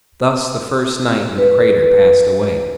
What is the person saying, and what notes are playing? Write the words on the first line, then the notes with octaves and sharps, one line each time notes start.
Thus the first night in the crater passed away.
B4